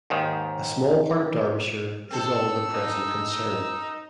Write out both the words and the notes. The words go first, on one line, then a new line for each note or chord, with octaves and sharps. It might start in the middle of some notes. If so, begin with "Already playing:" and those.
A small part of Derbyshire is all the present concern.
D#2 G#2 D#3
C4 A4 E6
D#4
D#4